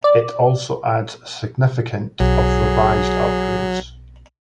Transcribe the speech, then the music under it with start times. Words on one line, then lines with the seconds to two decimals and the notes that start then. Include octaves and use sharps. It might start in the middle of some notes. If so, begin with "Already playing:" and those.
It also adds a significant of revised upgrades.
0.04 D5
2.20 B1 F#3 G#4